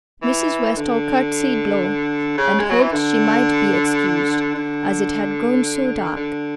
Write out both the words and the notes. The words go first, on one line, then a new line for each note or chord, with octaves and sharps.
Mrs. Westall curtsied low, and hoped she might be excused, as it had grown so dark.
E3
D3
C#3
G#3
F#3
E3
D3
D3
D3